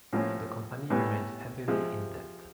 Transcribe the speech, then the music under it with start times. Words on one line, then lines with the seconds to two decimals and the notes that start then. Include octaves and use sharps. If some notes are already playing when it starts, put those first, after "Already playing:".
The company remains heavily in debt.
0.13 A2 F3 A#3 C#4
0.90 A2 E3 G3 B3
1.68 C3 F3 G#3